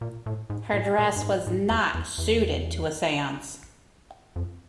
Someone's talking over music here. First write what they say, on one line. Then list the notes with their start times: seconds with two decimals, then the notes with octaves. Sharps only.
Her dress was not suited to a seance.
0.01 A#2
0.26 A2
0.50 G#2
0.73 A2
0.99 A#2
1.16 G2
1.22 G#2
1.47 G#2
1.70 E2
1.94 E2
2.18 E2
4.36 F2